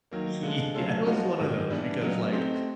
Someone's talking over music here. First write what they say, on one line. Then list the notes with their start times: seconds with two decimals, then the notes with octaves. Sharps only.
yeah, it was one of those, because, like,
0.11 D#3 F#3 A#3
0.43 D3 F3 G#3
0.75 F#3 A3 C#4 F4 A4
1.07 F3 G#3 B3 D#4 F#4
1.38 G#2 D#3 G#3
1.70 E3 G3 B3 D4
2.01 C#3 F#3 B3 D#4
2.33 A3 C4 D#4 G4